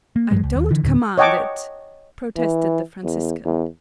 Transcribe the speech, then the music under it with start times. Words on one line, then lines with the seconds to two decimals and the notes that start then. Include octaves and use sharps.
"I don't command it!" protested the Franciscan.
0.16 A#3
0.31 A1 G2 F#3 G#3
0.43 C#2
0.56 D#2
0.71 D3 E3
0.84 D2 A2 D3
1.18 C#5 D#5 F#5 G5 A5 D6
2.37 E3
3.04 E2
3.45 E2